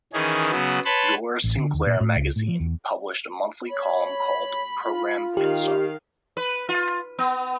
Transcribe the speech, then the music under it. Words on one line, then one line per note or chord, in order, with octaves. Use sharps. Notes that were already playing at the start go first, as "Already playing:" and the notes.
"Your Sinclair" magazine published a monthly column called "Program Pitstop".
D#3 E3 C#4 G#4
C#3 F#3 B3
B4 C#5 A5 B5 C6
A1
D3
D#2
A#2
A2
C#2
A2
F3
E2
C#5 B5
F4
D#3 G4 F5
B4
F4
B3